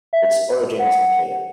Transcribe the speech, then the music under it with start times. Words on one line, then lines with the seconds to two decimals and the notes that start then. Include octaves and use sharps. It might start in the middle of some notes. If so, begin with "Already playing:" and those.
Its origin is unclear.
0.13 E5
0.79 F#5